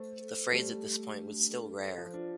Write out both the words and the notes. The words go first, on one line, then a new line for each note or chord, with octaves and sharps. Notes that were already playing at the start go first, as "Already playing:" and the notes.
The phrase at this point was still rare.
Already playing: A3 C5
A4
G3 A3
A3
D4
A4
C5
F3
D4 F4